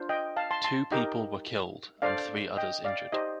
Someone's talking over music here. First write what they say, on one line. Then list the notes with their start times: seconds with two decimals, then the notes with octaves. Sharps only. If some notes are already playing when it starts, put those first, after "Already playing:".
Two people were killed and three others injured.
Already playing: D4 F4 C5
0.09 D#5 G5
0.36 F5 A5
0.51 A5 C6
0.64 A5 C6
0.91 D#4 G4 A#4 D#5 G5
2.02 D4 A4 C5 D5 F5
2.57 D#5 G5
2.85 D5 F5
3.12 D#4 G4 C5 D#5